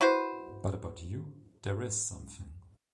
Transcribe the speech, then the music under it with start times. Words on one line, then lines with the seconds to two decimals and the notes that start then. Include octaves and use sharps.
But about you — there is something.
0.01 E4 F#4 B4 C5